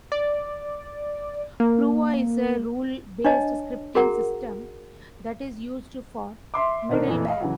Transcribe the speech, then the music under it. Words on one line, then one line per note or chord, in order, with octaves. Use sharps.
Prova is a rule-based scripting system that is used for middleware.
D5
A#3
D4 C#5 D#5 A5
F#4 G#4 A#4 F#5 A#5
E5 C6 D6
B2 D3 D#3 C4 D4 A#4
F2 A#2 E3
D#5 F5
C#3 E3 F#3